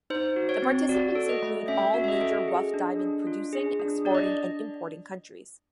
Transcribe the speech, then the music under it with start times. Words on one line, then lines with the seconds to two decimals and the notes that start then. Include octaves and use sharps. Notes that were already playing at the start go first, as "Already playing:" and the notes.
The participants include all major rough diamond producing, exporting and importing countries.
0.10 D#4 C5
0.36 F#4
0.49 C#5
0.62 C4
0.89 F#4 D5
1.15 A4
1.29 D#5
1.42 A3
1.68 C#4 E5
1.94 F#4
2.04 E5
2.08 D#5
2.21 A4
2.48 G#4
2.74 D4
2.99 D4
3.27 F4
3.53 G#4
3.79 D4
4.05 D4 D5
4.15 D#5